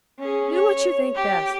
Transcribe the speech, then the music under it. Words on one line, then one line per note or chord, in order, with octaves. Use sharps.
Do what you think best.
C#4 G#4
C#5
G4